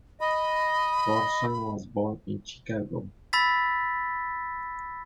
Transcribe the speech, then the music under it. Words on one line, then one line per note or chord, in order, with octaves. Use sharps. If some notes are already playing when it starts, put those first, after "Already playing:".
Corson was born in Chicago.
D#5 B5
B5 E6 A6 B6